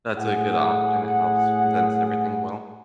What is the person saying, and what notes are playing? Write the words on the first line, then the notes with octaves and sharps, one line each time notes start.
That's a good option, it helps condense everything well.
A2 G#4 F#5